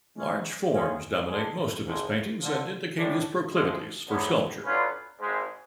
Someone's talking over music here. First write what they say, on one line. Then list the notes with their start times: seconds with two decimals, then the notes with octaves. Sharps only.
Large forms dominate most of his paintings and indicate his proclivities for sculpture.
0.16 G#2 G#3 C#4
0.72 A2 G#3 C#4 F4 G#4
1.28 D3 F3 G#3 D4 G#4
1.84 G#1 G#2 G#3 D4
2.40 F2 D3 F3
2.97 A2 G#3 D4
3.53 D2 D3 F3 G#3
4.08 D2 D3 F#3 B3
4.65 D3 F#3 C#4 F4 B4
5.21 G#1 G#2 G#3